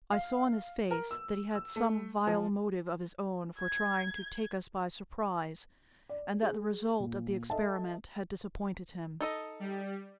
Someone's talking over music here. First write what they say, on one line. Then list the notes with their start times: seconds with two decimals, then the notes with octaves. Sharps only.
I saw in his face that he had some vile motive of his own for trying to take us by surprise, and that the result of the experiment had disappointed him.
0.12 F5
0.91 A#4
1.11 E6
1.55 E6
1.76 A3
2.27 F3
3.58 G#6
6.09 D5
6.43 G#4
7.00 A#2
7.50 A4 D#5 E5 A5
9.21 D#4 A4 D#5
9.60 G3